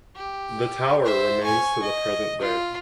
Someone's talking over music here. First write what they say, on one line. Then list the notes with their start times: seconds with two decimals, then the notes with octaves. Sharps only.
The tower remains to the present day.
0.15 G4
1.03 C5 E5
1.43 G#5 C#6
1.82 D#5
2.41 F4